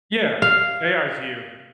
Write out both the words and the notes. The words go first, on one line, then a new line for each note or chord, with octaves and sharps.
Yeah, AIs here.
F5